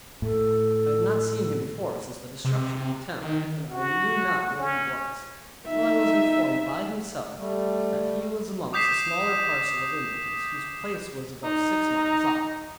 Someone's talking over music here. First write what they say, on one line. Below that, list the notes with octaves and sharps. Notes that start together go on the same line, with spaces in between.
I had not seen him before, since the destruction of the town, and I knew not where he was, till I was informed by himself, that he was amongst a smaller parcel of Indians, whose place was about six miles off.
A2 A4
C3
D#3
F#4
C#4
D#4 E5
G3 A3
D6 D#6 G6 B6 C7 E7
D#4